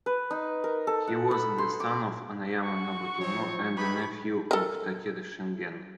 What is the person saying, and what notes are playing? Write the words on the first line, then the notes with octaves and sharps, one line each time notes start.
He was the son of Anayama Nobutomo and a nephew of Takeda Shingen.
B4
D#4
A#4
A4
F#5
B5
C6
D6
F#4 C#6
F3 C4 D#4 C#5
A3 D#4 G4 B4 B5
A4 A#4